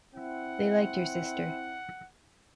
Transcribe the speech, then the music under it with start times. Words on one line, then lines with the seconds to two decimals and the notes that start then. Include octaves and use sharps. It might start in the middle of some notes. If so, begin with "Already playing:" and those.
They liked your sister.
0.15 C4 E4 F#5